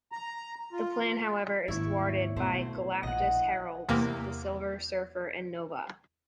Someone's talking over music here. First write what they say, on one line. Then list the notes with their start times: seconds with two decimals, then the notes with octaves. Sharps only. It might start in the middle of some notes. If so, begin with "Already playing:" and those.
The plan, however, is thwarted by Galactus' Heralds the Silver Surfer and Nova.
0.12 A#5
0.73 F4
1.68 D#2 G#2 E4 C#6
2.36 B2 A3 C5
3.03 A#1 D#5 F#5
3.89 E2 C3 A#3